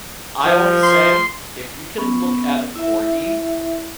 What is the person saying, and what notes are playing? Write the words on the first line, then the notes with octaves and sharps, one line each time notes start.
I always say, if you can look at a corgi
F3
C6
B3 C#4
E4 E5